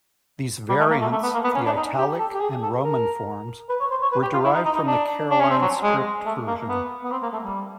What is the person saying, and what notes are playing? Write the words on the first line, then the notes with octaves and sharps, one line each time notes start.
These variants, the "Italic" and "Roman" forms, were derived from the Caroline Script version.
G3
A3
A#3
A3
A3
B3
A#3
B3
C#4
D4
D#4
G4
A4
G4
G#4
A4
A#4
B4
C#5
C5
C#5
B4
G4
F4
E4
D#4
D#4
D#4
D4
D4
C#4
C4
F#3
G#3
A3
A#3
B3
B3
C4
A#3
A3
G3